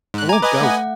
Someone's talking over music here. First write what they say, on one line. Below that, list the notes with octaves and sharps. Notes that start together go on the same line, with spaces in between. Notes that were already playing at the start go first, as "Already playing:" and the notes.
I won't go!
G#2 F#6
G#5 A#5 D6
B4 D#5 G#5
A3 F#5